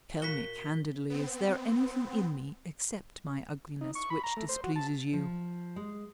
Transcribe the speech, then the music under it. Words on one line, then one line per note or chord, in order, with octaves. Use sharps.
Tell me candidly, is there anything in me, except my ugliness, which displeases you?
A#2 F#4 B6 G7
B3 C4
D#4
C#6
B5
A#5
A3
C5
F#4
A5
F3
G#3